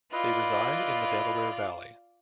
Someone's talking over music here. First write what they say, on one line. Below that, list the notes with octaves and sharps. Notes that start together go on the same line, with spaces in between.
They reside in the Delaware Valley.
E4 F4 B4 D5 D#5